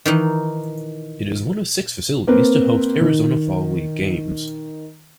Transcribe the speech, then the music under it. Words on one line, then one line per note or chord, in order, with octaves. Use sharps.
It is one of six facilities to host Arizona Fall League games.
D#3 E3 D#4
A#3 C4 B4
D#3